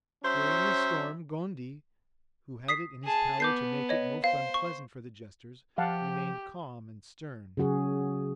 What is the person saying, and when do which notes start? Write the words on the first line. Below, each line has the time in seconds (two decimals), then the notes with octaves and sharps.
During this storm, Gondy, who had it in his power to make it most unpleasant for the jesters, remained calm and stern.
0.24 F#3 C#4 C5 E5
2.68 D#6 B6 C7
3.04 G#4 A5
3.40 B3 D6 G6 C7
3.89 C#5 D#5
4.24 C5 F5
4.54 C#6
5.78 F3 G4 F5 F#5 A5
7.57 C#3 F#3 F#4 G#4